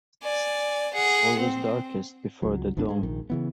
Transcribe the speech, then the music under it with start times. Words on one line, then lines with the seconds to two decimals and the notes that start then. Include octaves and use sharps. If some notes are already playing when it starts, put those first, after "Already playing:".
It's always darkest before the dawn.
0.23 D5 G#5
0.94 G#4 F#5
1.40 C4
2.42 C#2 F#3
2.77 G#1 D2 B3 D4
2.88 G#2 G#3
3.03 A#1 D#3
3.30 C#3 E3 B3